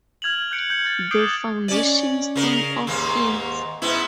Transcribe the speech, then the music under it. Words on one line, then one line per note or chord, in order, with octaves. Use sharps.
The foundation stone of Inst.
F6 G#6 F7 F#7
F#6 G6 C#7 D7
G6 C#7
G6 A6
D6 D#6 G6 C7 D7 G7
C#4 D5
C#3 A#4
D#2 G#2 A#3
G#2 B3 E4